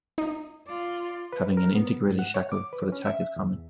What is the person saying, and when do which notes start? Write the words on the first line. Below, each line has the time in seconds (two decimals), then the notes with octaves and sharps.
Having an integrated shackle for the tack is common.
0.18 D#4
0.67 F4 D5
1.33 B4
1.57 A#4
1.75 B3
2.03 G#2
2.19 F#5
2.34 C#5
2.52 D6
2.73 B4
2.92 C#4
3.05 E5
3.36 E2